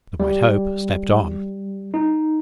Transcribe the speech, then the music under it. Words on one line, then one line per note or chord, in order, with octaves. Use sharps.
The White Hope slept on.
G3
D#4